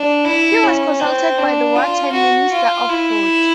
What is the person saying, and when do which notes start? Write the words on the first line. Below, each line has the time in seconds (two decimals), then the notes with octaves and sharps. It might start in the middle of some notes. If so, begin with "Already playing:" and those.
He was consulted by the war time Minister of Food.
Already playing: D4
0.25 E4
0.63 C#4
1.00 C4
1.38 D4
1.75 F4
2.13 F#4
2.52 F4
2.89 E4